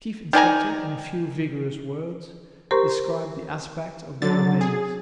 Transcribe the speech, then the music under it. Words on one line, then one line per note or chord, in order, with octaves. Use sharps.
The Chief Inspector in a few vigorous words described the aspect of the remains.
D#3 D5 G#5 A#5
G4 A#4 C5 A#5 C6 C#6
D3 F#3 A6
G#4